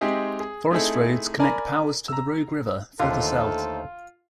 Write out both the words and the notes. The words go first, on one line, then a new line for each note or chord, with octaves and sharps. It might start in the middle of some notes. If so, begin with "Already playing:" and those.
Forest roads connect Powers to the Rogue River, further south.
G#3 C4 D#4 G4 G#4 E5
G#4
A3 C4 D#4 E4 G#4 A4
A#4 D5 G#5 A#5 B5
A#5 E6
D#2 D3 A3 D#4 F4 A4 C5